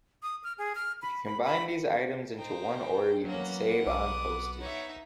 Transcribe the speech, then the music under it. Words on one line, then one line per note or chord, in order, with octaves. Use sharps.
If you combine these items into one order, you can save on postage.
D#6
F6
G#4
F6
B5
B5
B5
D#4 C5 G5
F#3 A#3 B3 C#4 F#5
B1 D6 D#6
D#4 C#5 E5